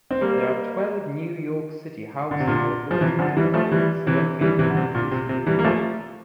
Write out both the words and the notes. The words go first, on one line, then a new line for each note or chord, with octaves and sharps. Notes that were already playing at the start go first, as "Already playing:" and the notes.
There are twelve New York City Housing Authority developments located in East New York.
C4
G3 A#3
D3
C3
A#2 D3
F3
C3 E3
D3 F3
E3 G3
F3 A3
E3 G3
C3 E3
E3 G3
C3 E3
D3
C3
A#2
C3
C3
E3 G3
A#3
F3 A3